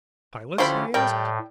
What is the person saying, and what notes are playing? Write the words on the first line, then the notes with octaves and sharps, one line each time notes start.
"Pilots?" I asked.
D3 F3 C#4 E4 G4 C5 B5 C6
A2 G3 A#4 G5